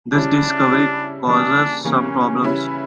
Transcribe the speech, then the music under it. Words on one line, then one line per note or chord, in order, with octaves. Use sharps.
This discovery causes some problems.
C#3 G3 C#4 D4 E4
C#3 G3 C#4 E4
C#3 E3 G3 A#3 D4
C#3 E3 G3 A#3 C#4
C#3 G3 C#4 E4 B4